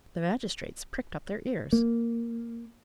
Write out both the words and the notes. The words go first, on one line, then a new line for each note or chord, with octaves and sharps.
The magistrates pricked up their ears.
A#3